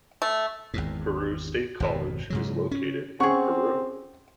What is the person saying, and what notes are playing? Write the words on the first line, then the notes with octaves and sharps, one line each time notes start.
Peru State College is located in Peru.
A3
G#1 E2 G#2
G#1 F2 B2
G#2 C#3 F#3
C#4
C4 C#4 G#4 F#5 C#6